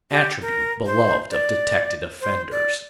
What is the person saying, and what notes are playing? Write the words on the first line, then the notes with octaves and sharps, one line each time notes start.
An attribute beloved of detected offenders.
G4
A#4
C5
D5
C5
D5